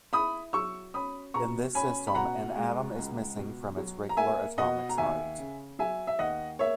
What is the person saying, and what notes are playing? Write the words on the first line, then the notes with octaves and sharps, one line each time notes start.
In this system, an atom is missing from its regular atomic site.
E4 B5 D#6
F#3 C#6 E6
C#4 B5 D#6
B2 A#5 C#6
C#4 G#5 B5
B5
B2 F#5 A#5
G#3
C#2
B2
F#3
A#5
A#3 E5 G#5
B2 D#5 F#5
A#5
D#2 E5 G#5
C#3
F#3 E5 G#5
E5
D#2 D#5 F#5
A#3 C#5 E5